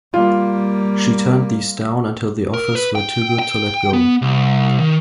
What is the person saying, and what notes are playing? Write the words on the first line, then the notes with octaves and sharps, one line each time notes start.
She turned these down until the offers were too good to let go.
G3 A#3 F4
A#4
B4
G5
G5
B3
C2
D#3